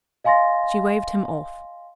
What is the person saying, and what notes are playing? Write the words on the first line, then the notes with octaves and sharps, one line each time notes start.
She waved him off.
D#5 F5 G#5 C6 A6 A#6